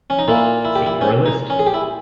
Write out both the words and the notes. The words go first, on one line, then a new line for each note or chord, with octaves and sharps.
See for a list.
C#4
D#4
A#2 A#3 E4
E4
G4
E4
C#4
D#4
C#4
G#4
G4
E4